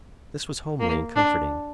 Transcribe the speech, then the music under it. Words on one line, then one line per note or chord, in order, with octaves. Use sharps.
This was homely and comforting.
A#3
D4